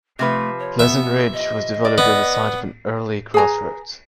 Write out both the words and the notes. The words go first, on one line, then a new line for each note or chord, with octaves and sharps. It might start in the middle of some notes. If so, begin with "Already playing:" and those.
Pleasant Ridge was developed at the site of an early crossroads.
C3 F3 A3 B4
C#5
B3 E5
D#5
D5
B3
G#4 B4 G#5 A#5